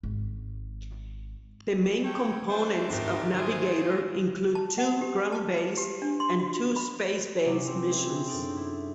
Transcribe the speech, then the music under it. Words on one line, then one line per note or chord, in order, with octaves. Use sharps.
The main components of Navigator include two ground-based and two space based missions.
G#1
A#3 A4 C#5 G5
A3 D4 F4 C5
G#1 G#2 G4 A#4 C7
D#3 F4 G#4 C5
A5
F#5
G4
A5
G4
D4
C6
F#4
B5
C3 F#3 C#4 C5 D6
C4
E4 G#4
F#2 D4 D#4 A4 D7
E4 C6